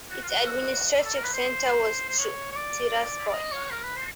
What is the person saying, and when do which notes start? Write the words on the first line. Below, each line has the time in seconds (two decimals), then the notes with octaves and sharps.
Its administrative centre was Tiraspol.
0.10 F#4
0.22 F4
0.29 F#4
1.04 A4
1.15 A#4
1.24 B4
1.33 C5
2.08 C5
2.18 C#5
2.52 C#5
2.56 D5
3.28 D5
3.33 D#5
3.51 C#5
3.71 A#4
3.83 B4
3.96 C5